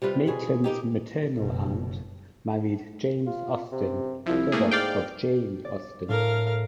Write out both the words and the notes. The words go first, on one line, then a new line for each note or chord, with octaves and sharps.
Maitland's maternal aunt married James Austin, brother of Jane Austen.
C3 G3 F4 B4
B2 G#4
A#3 D#4 G4
F#1 B2
F4
C3
C2 F3 E4
A3 A#3 G#4
G#2 D5 F5 G5
D5
A2 A#4 F5